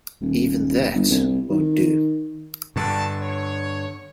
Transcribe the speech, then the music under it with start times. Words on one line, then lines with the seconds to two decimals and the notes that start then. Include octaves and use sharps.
Even that won't do.
0.21 D#1
0.95 G1
1.10 C2
1.51 D#3
2.76 G2 D3 G3 F#4 A5
3.22 C#5